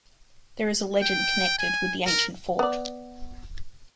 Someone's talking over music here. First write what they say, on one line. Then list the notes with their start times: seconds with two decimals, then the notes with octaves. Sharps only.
There is a legend connected with the ancient fort.
1.02 G5
1.59 G#5
2.06 A#4
2.59 B3 D5